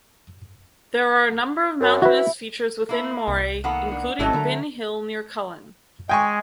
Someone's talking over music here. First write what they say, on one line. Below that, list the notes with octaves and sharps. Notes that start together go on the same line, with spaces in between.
There are a number of mountainous features within Moray, including Bin Hill near Cullen.
F#2
E4 F#4 B4
A#3 E4
C2
D#3 A#3 B3 A4 F#5 B5
D4 F#5
G#1 F#3 A3 E4 G4 A4 D#5
D3 A#4 E5 A#5
G#3 G5 G#5 C#6